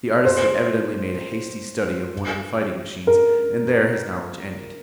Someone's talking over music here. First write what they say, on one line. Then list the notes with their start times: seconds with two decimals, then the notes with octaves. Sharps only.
The artist had evidently made a hasty study of one of the fighting-machines, and there his knowledge ended.
0.25 C5
3.07 A#4